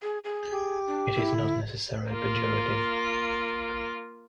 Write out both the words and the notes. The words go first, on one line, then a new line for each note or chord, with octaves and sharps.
It is not necessarily pejorative.
G#4
G#4
G4
D4
E4
D3
A#3 F4